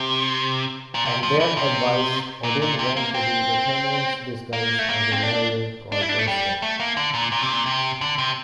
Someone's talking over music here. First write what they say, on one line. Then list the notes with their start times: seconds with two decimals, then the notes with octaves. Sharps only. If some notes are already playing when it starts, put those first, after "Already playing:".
On their advice Odin went to the Ruthenians disguised as a warrior called Roster.
Already playing: C3
0.95 A#2
1.05 C3
1.23 F3
1.40 E3
1.57 C3
2.44 A#2
2.62 A#2
2.79 C3
2.97 A#3
3.14 C4
4.53 A#3
4.79 A3
4.89 A#3
5.12 C4
5.23 D4
5.92 D4
6.01 E4
6.09 D4
6.19 A3
6.28 G3
6.62 A3
6.80 A#3
6.97 D3
7.14 A#2
7.32 A#2
7.41 C3
7.52 A#2
7.66 C3
8.01 D3
8.18 C3